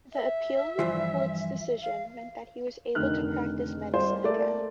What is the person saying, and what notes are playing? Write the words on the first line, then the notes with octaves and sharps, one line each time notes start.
The Appeal Court's decision meant that he was able to practice medicine again.
E5
G2 E3 F3
F5
F1 D3 D#3 F6 F#6
G3 G#3 F4 G#4 C5
A3 A#3 D5